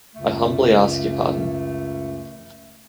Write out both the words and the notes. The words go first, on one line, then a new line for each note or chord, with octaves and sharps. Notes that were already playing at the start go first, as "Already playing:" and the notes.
I humbly ask your pardon.
C#2 F#2 C#3 A3